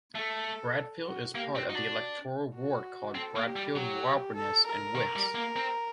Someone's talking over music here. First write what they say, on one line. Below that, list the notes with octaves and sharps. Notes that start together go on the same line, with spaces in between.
Bradfield is part of the electoral ward called Bradfield, Wrabness and Wix.
A3 A4
F#4
A#3 G4
C4
D#4 F#4
D4
F#4
C4 A4
A#3
G4
G3
F#3
A4
A#4
D#3
G3
A#3
C4